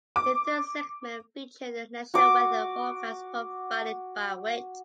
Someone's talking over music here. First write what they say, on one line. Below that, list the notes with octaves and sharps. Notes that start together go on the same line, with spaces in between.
The third segment featured a national weather forecast provided by Witte.
D6
F#4 D6